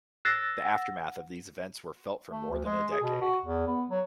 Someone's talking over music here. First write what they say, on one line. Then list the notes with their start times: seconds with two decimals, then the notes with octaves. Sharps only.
The aftermath of these events were felt for more than a decade.
0.25 E6 F#6 A6 A#6 C7
0.65 F#5
2.32 A3
2.51 D2
2.65 G#3
2.91 G#4
3.03 B2
3.22 F#4
3.45 E2
3.67 B3
3.91 F#3